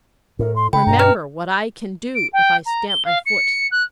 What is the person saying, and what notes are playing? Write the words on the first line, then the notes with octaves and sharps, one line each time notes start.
'Remember what I can do if I stamp my foot.'
A2 A#4
C6
C#3 G5 B5
G2 B2 A#5
B4 F6
D7
G5
A#5
G7
F5
C#7
F#6